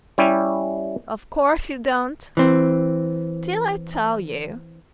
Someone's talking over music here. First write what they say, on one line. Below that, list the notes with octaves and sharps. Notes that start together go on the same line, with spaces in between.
'Of course you don't--till I tell you.
G3 C#4 E4 G4
E3 C4